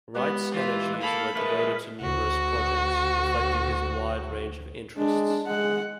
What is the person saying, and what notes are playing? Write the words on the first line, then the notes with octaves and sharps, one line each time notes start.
Wright's energies were devoted to numerous projects, reflecting his wide range of interests.
G#3 B3 G4 B4
E3 F4
A#3 A4 B5
G#3 A3 A#4 B4 E5
D2 F#4
G#3 D4
G#3 F#5